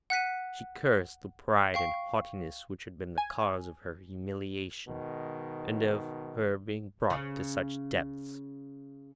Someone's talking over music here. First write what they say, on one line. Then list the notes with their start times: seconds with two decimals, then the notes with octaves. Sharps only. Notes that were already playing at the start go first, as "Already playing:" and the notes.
She cursed the pride and haughtiness which had been the cause of her humiliation, and of her being brought to such depths.
0.10 F#5 F#6 B6 D#7
1.74 F5 G5 C#6
3.18 G#5
4.87 G#2 B2 D#3
7.10 C#3 C#4